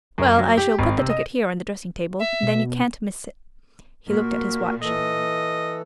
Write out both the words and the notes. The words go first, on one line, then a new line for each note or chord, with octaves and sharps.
"Well, I shall put the ticket here on the dressing-table, and then you can't miss it." He looked at his watch.
F#2
F#3
G4
G#1
C3
D#5
E5
B2
A#2 F#4 A#4
E3 A4 D#5